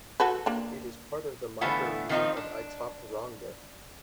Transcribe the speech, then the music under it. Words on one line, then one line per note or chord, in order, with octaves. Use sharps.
It is part of the microregion of Itaporanga.
F#4 A4 B4
A#3 D4
D3 E3 A3 B3 D4 F4
D#3 F3 C4 C#4 D#4 F4
D4